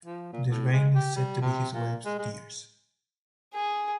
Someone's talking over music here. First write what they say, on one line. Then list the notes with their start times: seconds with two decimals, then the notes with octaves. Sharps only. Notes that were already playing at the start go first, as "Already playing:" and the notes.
The rain is said to be his wife's tears.
0.05 F3
0.33 A#2
0.48 A2
0.73 G#3
0.95 G4
1.16 G3
1.41 C3
1.73 A#2
2.05 G#3
2.19 G#3
3.54 G#4